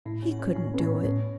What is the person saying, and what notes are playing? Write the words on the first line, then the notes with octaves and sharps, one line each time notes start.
He couldn't do it.
A2 E4
C#4
F#4
C#4
A2 C#4
C#4
B3
A2 C#4
C#4
A2 C#4